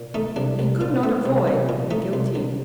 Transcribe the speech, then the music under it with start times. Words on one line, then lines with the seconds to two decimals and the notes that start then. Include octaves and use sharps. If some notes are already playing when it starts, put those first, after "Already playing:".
He could not avoid looking guilty.
Already playing: A#2
0.14 A3 D#4
0.36 C2 D4
0.59 C2
0.81 A#2
1.03 A3
1.25 C2
1.48 C2
1.69 A#2
1.91 A3 D#4
2.13 C2
2.35 C2